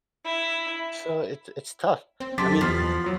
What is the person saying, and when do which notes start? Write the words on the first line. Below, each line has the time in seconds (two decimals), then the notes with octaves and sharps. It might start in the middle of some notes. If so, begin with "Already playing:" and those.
So it's it's tough. I mean, d
0.24 E4
2.20 C4
2.38 F#2 G4 A4 C6 D6 A6 B6
2.61 E2 F3 B3 C6 F6
3.04 F#3 C6